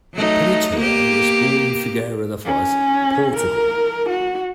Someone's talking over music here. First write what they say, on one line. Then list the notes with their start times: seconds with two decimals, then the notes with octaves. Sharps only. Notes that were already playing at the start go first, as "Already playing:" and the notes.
Penicheiro was born in Figueira da Foz, Portugal.
0.15 F#3 A3 D#4
0.77 A#3 B3 G4
2.45 C#4
3.37 A#4
4.10 F#4